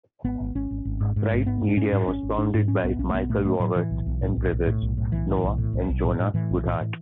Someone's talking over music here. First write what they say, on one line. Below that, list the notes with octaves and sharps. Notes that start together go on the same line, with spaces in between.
Right Media was founded by Michael Walrath and brothers, Noah and Jonah Goodhart.
G#1 B3
G#1
G#1 C#4
G#1
G#1
G#2
G#2
G#1
G#2 B3
G#2
D4
G#2 C#4
G#2
G#1 C#4
G#1
G#2 D4
G#2
A2 C#4
B1 B3
B1 C#4
A3
B1 B3
A2 A3
A2 A3
A2 F#3
A2 E3
B1
B1
A2
B1
B1
A2
B1
A2
B1 E3
A2
B1
A2
B1
B1
A2
A2
A2 E3
B1
A2
A2